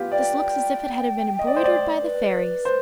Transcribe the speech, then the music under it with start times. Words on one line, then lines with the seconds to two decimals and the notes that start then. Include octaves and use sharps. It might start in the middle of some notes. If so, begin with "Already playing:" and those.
'This looks as if it had been embroidered by the fairies!
Already playing: B3 F4 G4
0.12 D5 G5
1.39 D#5
1.47 D5
1.56 C5
1.64 D5
2.02 B4
2.65 C5